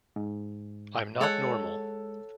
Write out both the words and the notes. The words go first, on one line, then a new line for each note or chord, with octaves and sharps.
I'm not normal.
G#2
G#3 A4 C#5 F#5